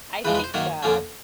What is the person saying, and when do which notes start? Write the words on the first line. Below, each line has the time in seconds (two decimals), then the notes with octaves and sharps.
I think that
0.25 E2 C#3 F3 G#3 B4
0.35 B4
0.44 C5
0.54 F#2 D#3 F#3 A#3 C#5
0.83 F2 D3 F3 A#3 C#4